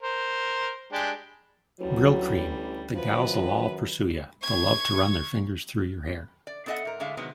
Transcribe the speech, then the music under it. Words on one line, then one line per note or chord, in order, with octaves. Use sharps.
Brylcreem-The gals'll all pursue ya; they'll love to run their fingers through your hair!
A#4 C5
G#3 D4 G4
A1 D2 F#3 G3
F#2 D#3 F3 B4
C#6 G#6
D5
B3 D4 A4 D#5 E5 F#5
G#2 A#4
A2 D3 G#3 E5 F5
C3 D#3 F#3 G#3 B3